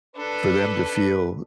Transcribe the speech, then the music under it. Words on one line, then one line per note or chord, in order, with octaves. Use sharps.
for them to feel,
D4 A4 B4